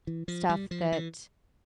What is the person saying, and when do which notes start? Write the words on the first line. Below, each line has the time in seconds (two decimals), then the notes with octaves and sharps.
stuff that
0.07 E3
0.28 F3
0.49 G3
0.71 F3
0.92 E3